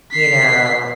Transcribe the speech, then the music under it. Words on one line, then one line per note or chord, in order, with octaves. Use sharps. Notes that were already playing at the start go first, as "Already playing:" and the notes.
you know,
B6 C7